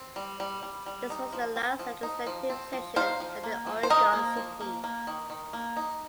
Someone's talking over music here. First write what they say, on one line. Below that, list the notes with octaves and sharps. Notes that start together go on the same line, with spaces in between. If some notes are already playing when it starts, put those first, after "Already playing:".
This was the last legislative session held in Oregon City.
Already playing: C4
G3
G3
G3
G3
D#4
F3
C4
F3
D#4
F3
C4
F3
D#4 C5 F5
F3
A#3
F3
C5
F3 A#4 D#5
A#3
F3
A#3
A#3
D#3
D#3
A#3
D#4